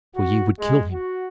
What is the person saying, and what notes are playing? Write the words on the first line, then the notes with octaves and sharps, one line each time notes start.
"For ye would kill him."
F#4
G#3
F#4